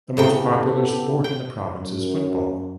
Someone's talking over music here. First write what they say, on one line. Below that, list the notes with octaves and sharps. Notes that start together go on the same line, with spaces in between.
The most popular sport in the province is football.
A2 C#3 B3 G4 A4 G5
G5
F#2